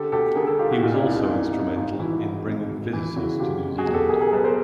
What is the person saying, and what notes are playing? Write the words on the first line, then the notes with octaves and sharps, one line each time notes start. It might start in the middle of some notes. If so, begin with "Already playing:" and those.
He was also instrumental in bringing visitors to New Zealand.
Already playing: D3 G4 A4
D2 G4 A4
D3 G#4 A#4
G4 A4
D2 F4 G4
E4 F#4
A#2 D#4 F4
D4 E4
C2 D#4
D#4
F4
A#2 D4 E4
C2 D#4
G#1 D#4 F4
E3 E4 F#4
G#2
G#1
D2
E3
C#3 E4 F#4
D2 F4 G4
B2
F#4 G#4
B1
G4 A4
B2 G#4 A#4
G#4 A#4
B1 A4 B4
A#4 C5